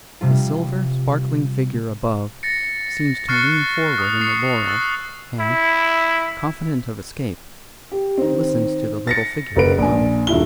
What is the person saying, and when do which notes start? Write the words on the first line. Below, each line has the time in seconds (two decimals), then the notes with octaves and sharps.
The silver, sparkling figure above seems to lean forward in the laurels and, confident of escape, listens to the little figure below.
0.21 C3 G3 F4
2.43 A6 A#6 C#7
3.28 C#6 F6 F#6 A6 C7 C#7
3.98 D#6
4.21 C#6 C7 C#7
4.65 E6 F#6 A6
5.39 E4
7.92 G4
8.18 D#3 C4
9.07 A6 A#6 C#7
9.56 F#1 A#4 B4 D7
9.78 A#1 G#5
10.27 D#1 G2 E4 G7